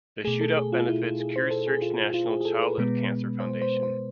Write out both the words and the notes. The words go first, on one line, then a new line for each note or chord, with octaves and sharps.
The shootout benefits CureSearch National Childhood Cancer Foundation.
B2 A3 G#4
A4
G#4
F4
E4
F4
G#4
C5
A4
G#4
F4
F4
G#4
G#4
A4
B4
B2 G#3 B3
C5
C5
C5